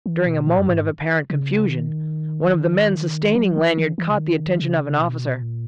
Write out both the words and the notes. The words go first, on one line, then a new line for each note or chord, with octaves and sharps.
During a moment of apparent confusion, one of the men sustaining Lanyard caught the attention of an officer.
E3
B2
A#2
F#2
G#2
C#3
D#3
F#3
E3
E3
E3
C#3
D#3
C#3
B2
A#2